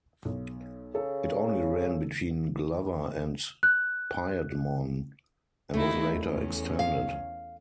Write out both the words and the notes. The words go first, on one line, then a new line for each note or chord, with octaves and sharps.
It only ran between Glover and Piedmont and was later extended.
B1
C#3 A4
F#6
D#2 A3 D#4 E4
E2 C#4
F5